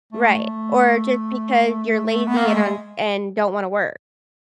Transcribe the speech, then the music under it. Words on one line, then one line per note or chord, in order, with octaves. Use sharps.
Right, or just because you're lazy and un and don't wanna work,
A3
A3
B3
A#3
A3
G#3